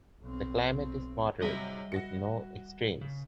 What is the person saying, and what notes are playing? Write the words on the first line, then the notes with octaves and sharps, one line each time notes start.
The climate is moderate with no extremes.
B1 C4
G#2 C3 F#3 G3 D#5 E5
F#4 A#6 C#7
C#3